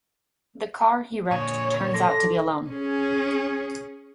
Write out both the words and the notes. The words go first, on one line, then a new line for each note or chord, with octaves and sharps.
The car he wrecked turns out to be a loan.
A#2 D3 C#5 G#5 C#6 D#6
A4 C6 D6 A#6
C#4 G#4